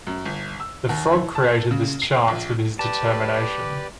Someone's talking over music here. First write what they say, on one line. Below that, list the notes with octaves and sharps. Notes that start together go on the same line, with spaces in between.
The frog created this chance with his determination.
F#2
G1
E6
D#2
E3
A5
C#3
C7
A#1
G4 B4 D5 A5